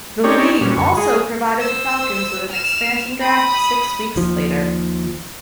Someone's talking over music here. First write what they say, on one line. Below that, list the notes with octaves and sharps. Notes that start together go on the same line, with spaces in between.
The league also provided the Falcons with an expansion draft six weeks later.
C4 C#4 D#4 G4 C#5 D5
A#2 F#3 G3 C#4
F#2 D3 C#6
G#3 G#4
C5 E6
F6 E7
B5 D#6
D#2 F3